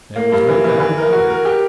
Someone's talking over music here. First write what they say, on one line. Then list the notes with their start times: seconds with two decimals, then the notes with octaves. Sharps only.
There was no doubt about it.
0.16 A#3
0.32 G2
0.48 E3
0.64 E3
0.80 E3
0.97 A#4
1.13 F#4
1.29 A#4
1.45 G4